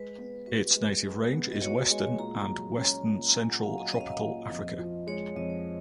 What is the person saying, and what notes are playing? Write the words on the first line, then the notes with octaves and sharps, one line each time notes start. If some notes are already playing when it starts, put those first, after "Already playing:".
Its native range is western and western central Tropical Africa.
Already playing: G#3 B4
B3
F#4 B4
G#3
G#3
B3
D#5
F#4 C#5
G#3 G#5
A#2 A#5
F#3
C#4
A#2
A#5
A#2 G#5
F#5
F#3 F5
D#5
C#4 D#5
F5
D#5
A#2
F2
F3
G#3 C#5
F2 D#5
C#5